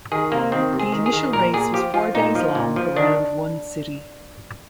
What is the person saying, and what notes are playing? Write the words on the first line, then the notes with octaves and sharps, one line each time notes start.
The initial race was four days long around one city.
D#3 G#4
C3 A#3
D#3 C4
C3
G#4
D#3
G#4
D#3
A#2 A#4
A#2 G#4
F3 G4
F3 F4
A#2 D#4
F3
A#2
F3
D#3 D4